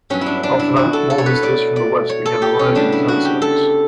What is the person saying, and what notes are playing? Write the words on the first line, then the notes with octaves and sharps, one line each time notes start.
After that, more visitors from the west began arriving as emissaries.
G2 F#3 B3 C#4
D4 E4
D4
E4
F#4
A4
A4
C#5
B4
B2 A3 D5
D5
C#5
A4
G4
C#4
C#3 G3 B3 D4
E4
F#4
G4
A4